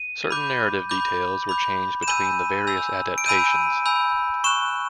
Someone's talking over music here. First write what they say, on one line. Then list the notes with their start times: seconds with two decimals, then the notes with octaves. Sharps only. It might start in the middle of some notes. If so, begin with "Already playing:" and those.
Certain narrative details were changed between the various adaptations.
Already playing: D#7
0.31 B5 D6 G6
0.90 B5 D6 G6
1.49 B5 D6 G6
2.03 E7
2.07 G#5 B5 E6 G6 D#7
2.67 G#5 B5 E6 G6
3.18 D7
3.26 G#5 B5 E6 G6 D#7
3.86 G#5 B5 E6 G6
4.44 C#6 F#6 E7